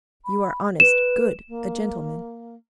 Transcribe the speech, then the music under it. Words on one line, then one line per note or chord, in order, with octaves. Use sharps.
You are honest, good, a gentleman.
B5
B4 E7
A#3